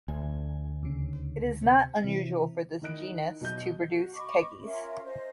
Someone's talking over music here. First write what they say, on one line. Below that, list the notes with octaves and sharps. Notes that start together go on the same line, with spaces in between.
It is not unusual for this genus to produce keikes.
D2 G#5
D#2 C#3
C3
C3 E3
D#3 E4 D#5 F#6 D7
B2 F#3 D#5 G6
F#4
D#5 B5 C#6 D6
C#4 F4 A#4 E5
C5 D#5